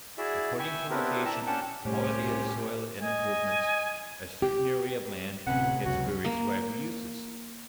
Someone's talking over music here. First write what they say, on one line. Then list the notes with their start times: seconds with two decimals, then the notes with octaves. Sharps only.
According to location, quality of the soil, and improvements, a certain area of land has various rival uses.
0.18 E4 F#4 G#4 D5 E5
0.59 E5 G5 G#5 B5 C#6
0.90 B3 C4 D4 E4 G4 A#4
1.25 D5 E5 A5 A#5
1.47 C#4 D4 F#5 G5 A5
1.85 C2 A2 A3 C#4 G4 C5
3.02 D#5 G#5
4.42 G4
5.46 D1 C3 B3 C#4 F#5
5.85 C#2 F#2 F#4
6.25 A#3